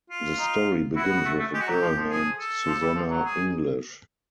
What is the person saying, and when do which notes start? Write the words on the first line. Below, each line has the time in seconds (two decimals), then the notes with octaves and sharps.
The story begins with a girl named Susanna English.
0.10 F4
0.38 D#4
0.96 E4 F#4
1.10 B3
1.25 A3
1.40 A3
1.53 G#3 G4
1.61 F#4
1.67 F#3 G4
1.82 F3
1.96 F3
2.10 G#4
2.38 A4
2.67 F3
2.82 G3
2.96 F3
3.10 F#3
3.25 G#4